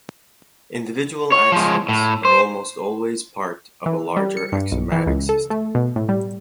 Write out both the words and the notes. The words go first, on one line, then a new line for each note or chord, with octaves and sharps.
Individual axioms are almost always part of a larger axiomatic system.
C#5
F3 G#3
A2
C5
E3
G3
C#7
G2
B1
E3
C#2
A4
A3
B2
A2
G3